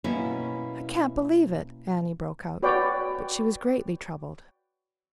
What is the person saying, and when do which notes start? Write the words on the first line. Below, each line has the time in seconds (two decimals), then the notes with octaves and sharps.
"I can't believe it," Annie broke out, but she was greatly troubled.
0.04 B2 A#3 C#4 E4
2.63 F#4 B4 C#5 D5 G5